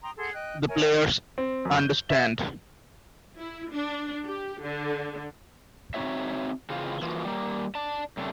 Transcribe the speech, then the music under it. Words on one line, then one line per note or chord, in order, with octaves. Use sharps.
The players understand.
G5 A#5 C6 D#6
G#4 A4 F#5 C6
D#5 G5 F#6
A#4 C#5 E5 G#5
C4
F#2
G6
E5
E4
D4
G4
D3
C4 D#4 F#4 C#5 E5
C#3 E3 C4 F4
E3 F3 A#3 F4 F#4
G3 A#3
D5 A5
F#2 C3 A3 D4